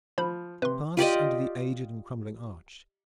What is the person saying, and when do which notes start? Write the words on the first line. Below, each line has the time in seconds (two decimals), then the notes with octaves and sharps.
Pass under the aged and crumbling arch.
0.18 F3 C5 B5
0.62 C3 B4 C6
0.97 F4 G4 D5 D#5